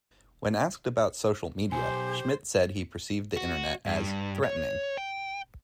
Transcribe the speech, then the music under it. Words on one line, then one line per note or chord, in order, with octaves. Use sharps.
When asked about social media, Schmidt said he perceived the internet as "threatening".
B1 G4 C5 G#5
F#4
G2
C#5
G5